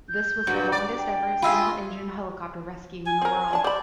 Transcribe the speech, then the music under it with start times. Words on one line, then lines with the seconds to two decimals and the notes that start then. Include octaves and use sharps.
This was the longest ever single-engine helicopter rescue in the world.
0.09 G6
0.47 G2 A#2 F#4
0.72 D5
0.98 G5
1.42 G#3 F4 G#4 E5 B5
3.07 G#5
3.22 C4 A#4
3.51 E3 D4 A5
3.64 C5 D5 B5